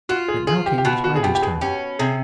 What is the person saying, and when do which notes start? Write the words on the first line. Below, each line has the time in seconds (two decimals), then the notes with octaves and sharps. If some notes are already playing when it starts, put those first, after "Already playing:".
It now came to Spivey's turn.
0.09 F4 F#4
0.28 G#4
0.47 F4 G#4
0.66 G4
0.78 G4
0.85 B2 F#4
1.04 F#4
1.16 G#4
1.23 B2 G4
1.35 G4
1.42 G#4
1.61 C#4 G4
1.99 C3 G#4